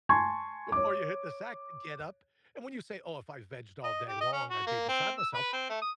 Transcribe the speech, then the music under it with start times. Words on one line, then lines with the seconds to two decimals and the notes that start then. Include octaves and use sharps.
before you hit the sack to get up, and when you say, “Oh, if I vegged all day long, I'd be beside myself,”
0.09 G#5 A5 C6 C#6 G#6
0.72 C#5 D6
3.84 D#5
4.08 G4
4.21 D#5
4.32 C#4
4.50 F#4
4.67 A#3
4.88 C4
5.18 E6
5.34 B4
5.52 C4
5.69 A3
5.81 D#6